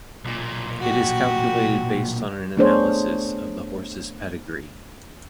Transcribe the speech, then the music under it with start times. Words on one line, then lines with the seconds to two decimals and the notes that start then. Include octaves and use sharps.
It is calculated based on an analysis of the horse's pedigree.
0.25 B1 A#2
0.80 F#4 G4
2.57 A3 B3 D4 G#4 C5 C#5